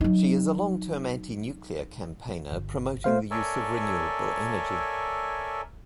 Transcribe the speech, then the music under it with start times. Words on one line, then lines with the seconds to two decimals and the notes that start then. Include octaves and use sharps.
She is a long-term anti-nuclear campaigner, promoting the use of renewable energy.
0.01 F#3 D#4
2.52 G1
3.04 A3 C5 F5
3.31 A4 A#4 C#5 D5 E5 G#5